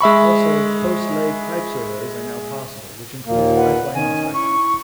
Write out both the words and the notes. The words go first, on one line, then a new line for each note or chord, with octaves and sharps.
Also, post-lay pipe surveys are now possible, which includes pipeline inspection.
G#3 E5 B5 C#6
D#2 A#2 A#3
B4 F#5
D#3 C#4 G#5
E4 C#6